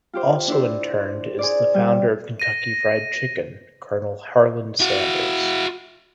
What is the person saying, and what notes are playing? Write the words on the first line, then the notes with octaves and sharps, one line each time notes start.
Also interned is the founder of Kentucky Fried Chicken, Colonel Harland Sanders.
F4 G4 C5
D4 E4 C5
G#4 C5 D5
G3
A#6 D#7
E4 F#4